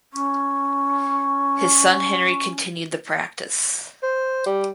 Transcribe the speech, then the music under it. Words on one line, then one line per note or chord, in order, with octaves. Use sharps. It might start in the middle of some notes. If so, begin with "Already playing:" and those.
His son Henry continued the practice.
C#4 C#6
C5
G3